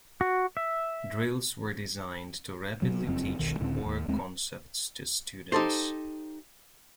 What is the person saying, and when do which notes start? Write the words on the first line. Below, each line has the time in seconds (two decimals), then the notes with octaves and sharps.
Drills were designed to rapidly teach core concepts to students.
0.21 F#4
0.57 E5
2.82 B2 F#3
3.07 F#1 F2 F3 C4
3.39 E1 B1 D#3
3.60 C#2 A2 D3 C4
3.86 D#2
4.08 D#2 G#3 A3 C4
5.52 D#4 G4 A4 C5